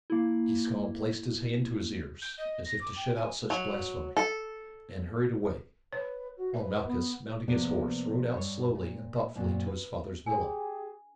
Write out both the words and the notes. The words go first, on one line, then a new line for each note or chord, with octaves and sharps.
Giscon placed his hand to his ears as if to shut out such blasphemy, and hurried away, while Malchus, mounting his horse, rode out slowly and thoughtfully to his father's villa.
A#3 E4
G6
D#5
A#6
D6
G5
G#5
F#3
A4
B4 C#5
F#4
B4 E5
B3
C3 F3 A#3 B3 D4
G2 C#5
A#2
F#2 A#2 C4 D4
B4
D4 G4 G#4 G#5